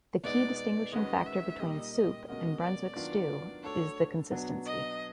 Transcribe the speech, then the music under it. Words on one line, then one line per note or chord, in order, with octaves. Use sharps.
The key distinguishing factor between soup and Brunswick stew is the consistency.
B2 G#3 B3 D#4 D5
D5
D#3 G#3 C#4 F#4 B4 D#5
E5
A#2 G3 A#3 D#4 G4 D#5
D#5
B2 G#3 C#4 F#4 A#4 D#5
D5
D#3 F#3 B3 D4 F4
A3 D4 F#4 A4 C#5
B2 F#3 B3 D4 F#4
D#5